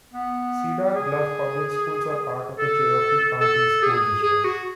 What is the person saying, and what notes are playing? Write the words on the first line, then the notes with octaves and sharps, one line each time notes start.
Cedar Bluff Public Schools are part of the Cherokee County School District.
B3
G#4
A4
A4
G#4
G#4
F#4